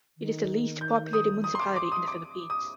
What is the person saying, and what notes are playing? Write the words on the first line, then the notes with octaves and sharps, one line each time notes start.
It is the least populated municipality in the Philippines.
D#3
G6
D#6
D#6
C6
D6
D6
D#6
D6
D#6